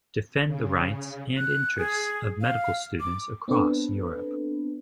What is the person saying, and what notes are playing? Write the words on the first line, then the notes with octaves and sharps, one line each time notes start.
Defend the rights and interest of medical students across Europe.
C#3
C#3
F#6
G#4
F5
D6
B3 C4 D4 A4 B4